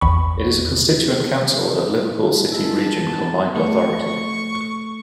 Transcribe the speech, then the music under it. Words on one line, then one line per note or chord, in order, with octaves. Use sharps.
It is a constituent council of Liverpool City Region Combined Authority.
A1 E2 B5 C#6
G#3 A#3 E4 F4 A5
B3
A3 C#6